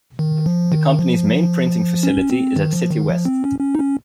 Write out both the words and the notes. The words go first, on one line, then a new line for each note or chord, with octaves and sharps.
The company's main printing facility is at Citywest.
D#3
F3
D#3
F3
C#4
C4
D#3
F3
D#3
F3
C4
C#4
C#4
D#4
C#4